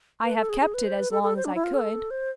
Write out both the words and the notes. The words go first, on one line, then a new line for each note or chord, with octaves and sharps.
I have kept it as long as I could.
B4
A4
G#4
G#4
B4
C5
B4
A4
A4
C5
D4
E4
F4
A4
C5